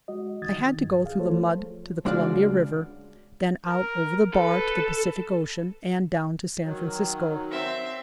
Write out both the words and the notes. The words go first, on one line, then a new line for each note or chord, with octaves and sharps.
I had to go through the mud to the Columbia River, then out over the bar to the Pacific Ocean, and down to San Francisco.
G#3 F#4 D#5
C2 D#3 D#6 G#6 A6
D#3
C#2 G2
G#4 F5
F3 A3 F4 A4 C5 C#5
C#2 G#3 D4 F#4 D5 F5
A#4
A4 B4
D#3 F#3
C4 E5